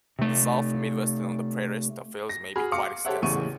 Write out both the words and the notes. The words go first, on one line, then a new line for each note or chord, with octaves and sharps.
In the South, Midwest and on the Prairies the fields may be quite extensive.
C3 A3
A#6
F#4 G#4 B5 F6
F5 D6 C#7
G4 A4 C5 C#5 E5 F#5
A1 E2 C#3 C#6 D#7